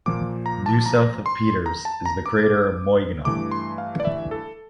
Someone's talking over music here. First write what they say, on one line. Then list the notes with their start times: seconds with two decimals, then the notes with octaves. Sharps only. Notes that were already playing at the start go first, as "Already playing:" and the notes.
Due south of Peters is the crater Moigno.
0.06 A#2 F3 A#3 D6
0.46 A#5
0.66 A5
0.86 A#5
1.26 C6
1.66 A#5
1.85 A5
2.06 A#5
2.26 D6
3.25 G2 E3 A3 D6
3.51 C6
3.78 F5
4.00 D5
4.05 E5
4.31 A4